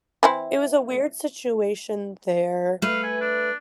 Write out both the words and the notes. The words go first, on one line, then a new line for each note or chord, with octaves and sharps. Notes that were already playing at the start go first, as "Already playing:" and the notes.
it was a weird situation there
E3 C4 E4
A3 B4 F5
G#5
D4